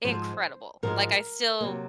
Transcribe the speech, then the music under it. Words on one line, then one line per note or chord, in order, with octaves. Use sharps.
incredible, like, I still
G#2 F3 G#3 C5
G#2 F3 G#3 A#4
C3 F#3 A#3